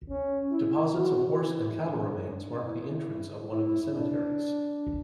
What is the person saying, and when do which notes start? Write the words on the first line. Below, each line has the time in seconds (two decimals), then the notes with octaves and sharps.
Deposits of horse and cattle remains mark the entrance of one of the cemeteries.
0.09 C#4
0.51 E4
0.95 F#4
1.38 E4
1.80 D4
2.65 E4
3.51 E4
3.93 D4